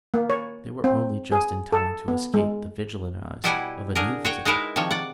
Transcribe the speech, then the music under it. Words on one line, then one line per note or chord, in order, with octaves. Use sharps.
But they were only just in time to escape the vigilant eyes of a new visitor.
A#3
C#5
C4
G#4
A4
B3
G#3
B2 G3 E4 G4 F#5 G#5
D3 G#4 A#4
F#4 C#5 G5
G#3 D#4 E4 A#4 B4 E5
C3 D#3 F3 C#5
D5 F#5